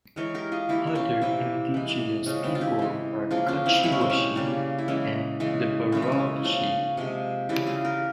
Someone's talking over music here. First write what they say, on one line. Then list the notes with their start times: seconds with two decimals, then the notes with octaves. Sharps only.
Other indigenous people are the Kociewiacy and the Borowiacy.
0.16 E3 G#3 A#4 C#5
0.34 G4 A#4
0.52 F4 G#4
0.69 E3 A#3 E4 G4
0.87 E4
0.95 C#4 F4
1.21 C3 E3 G3 A#3 C4 E4
1.74 E3 G#3
2.26 C#3 F3 G#3 C#4
2.44 C4 E4
2.55 F4
2.61 E4 G4
2.79 E3 G#3
3.31 C#3 F3 A#3 F4 G#4
3.48 C#4 F4
3.66 C4 E4
3.83 C3 F3 G#3 E4
3.92 C#4
4.01 C4
4.10 C#4
4.36 C#3 G3 A#3
4.78 E4
4.88 E3 G#3 C#4
5.40 C#3 E3 G#3
5.92 C#3 E3 G#3 C#4
6.02 E4
6.12 C#4
6.44 C#3 F3 A#3
6.97 C3 F3 G#3
7.49 C#3 E3 G3 E4 G4
7.67 F4 G#4
7.84 G4 A#4